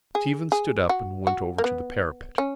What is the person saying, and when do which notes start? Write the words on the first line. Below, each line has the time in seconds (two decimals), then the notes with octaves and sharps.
Stephen stood up and went over to the parapet.
0.15 G#4
0.52 G#4
0.89 F#4
1.27 F#4
1.58 A#3
1.64 B3
2.38 C#4